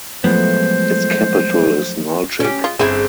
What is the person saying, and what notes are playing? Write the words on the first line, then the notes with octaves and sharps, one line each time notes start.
Its capital is Nalchik.
F3 F#3 G#3 A3 B3 C5
C#4 G4
G#3 F4
G1 C4 C#4 E4 G#4